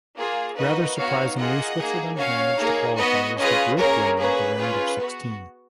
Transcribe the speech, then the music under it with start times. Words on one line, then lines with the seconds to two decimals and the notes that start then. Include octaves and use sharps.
Rather surprisingly, Switzerland managed to qualify as the group winner of the round of sixteen.
0.17 A#3 F4 G#4
0.57 A#3 D#4 F#4 B4 D#5
0.97 B3 D#4 F#4 C#5 F5
1.38 A#3 F4 G#4 D#5 F#5
1.78 A#3 D#4 G#4
2.18 C#4 F#4 C#5 F5
2.59 A#3 D#4 G#4
2.98 B3 F#4 B4 D#5
3.38 C#4 F4 G#4 B4 D#5
3.78 A#3 C#4 G#4 A#4 C#5
4.18 A#3 C#4 G#4 B4
4.59 C#4 F4 G#4
4.99 B3 F#4